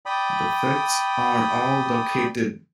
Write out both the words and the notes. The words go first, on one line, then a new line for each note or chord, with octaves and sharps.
The facts are all docketed.
D5 G5 B5 D#6